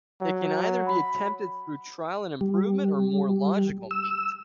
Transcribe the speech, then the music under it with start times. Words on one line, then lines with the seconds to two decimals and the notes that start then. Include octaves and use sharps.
It can either be attempted through trial and improvement or more logical means.
0.22 F#3
0.86 B5
2.41 G3
3.91 E6